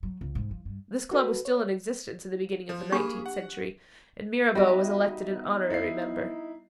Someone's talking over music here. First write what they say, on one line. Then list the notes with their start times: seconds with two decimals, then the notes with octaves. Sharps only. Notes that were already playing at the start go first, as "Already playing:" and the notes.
This club was still in existence in the beginning of the nineteenth century, and Mirabeau was elected an honorary member.
0.03 F#3
0.21 C#2
0.35 G#2
0.51 F3
0.65 G2
1.11 F#4 A4 B4
1.45 C#5
2.69 F3
2.92 A#3 D4 G4 G#4 B5 C#6
3.26 F#5
4.55 G3 B3 D#4 F#4 D#5 E5
5.70 E4 C7